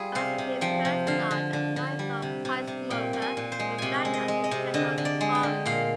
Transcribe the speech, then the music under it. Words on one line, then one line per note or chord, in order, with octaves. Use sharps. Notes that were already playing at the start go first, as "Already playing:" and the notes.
While stationed in Perth, Chard-a lifelong pipe smoker-was diagnosed with cancer of the tongue.
Already playing: G3 F4 G#4
C3 F5
C3
F3 G5
C3
D3 F5
D3
D3
D3
G3
C3
C3
C3
A#2 G5
A#2
G#5
A#2
C5
G#3
C3 G5 G#5
G#3
D#5
G#3
D#5
C3
D3 D#5
D3
D5
G#3
G5
D3
A#2 F5